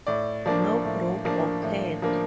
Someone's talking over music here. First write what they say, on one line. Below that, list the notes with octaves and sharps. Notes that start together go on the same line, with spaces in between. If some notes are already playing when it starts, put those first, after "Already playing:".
No growth occurred.
A2 D5
F3 A#3 D4 D5
A2
F3 A#3 D4
A2
F3 A#3 D4